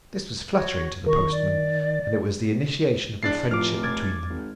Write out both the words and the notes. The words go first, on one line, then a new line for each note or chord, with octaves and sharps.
This was flattering to the postman, and it was the initiation of a friendship between them.
F#4 C#5
D#3 A#5 C#6
D5
E2 D4 A6 C7
F1 A2 F3 D6 F6
D6 G#6 A6
G#1